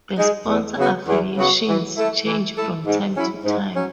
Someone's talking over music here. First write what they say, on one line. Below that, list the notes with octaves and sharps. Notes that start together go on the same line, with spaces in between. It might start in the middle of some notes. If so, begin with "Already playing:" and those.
The sponsor affiliations change from time to time.
G#3 D#4 G#4
E2
C#3 F#3 B3 F#4
E2
C#3 F#3 B3 F#4
E3
A3 E4 A4
E3
A3 E4 A4
G#2
F#3 C#4 E4
G#2
F#3 C#4